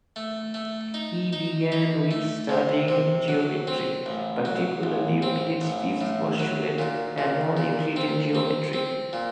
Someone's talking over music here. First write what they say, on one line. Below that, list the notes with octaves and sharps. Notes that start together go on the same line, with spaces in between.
He began with studying geometry, particularly Euclid's fifth postulate and non-Euclidean geometry.
A3
A3
D#4
D#4
D#4
A3
C3
C3
F#3
C4
A1
F#3
A1
C4
A1
A2
F#3
A#2
A#2
A#2
C4
C4
C4
A#2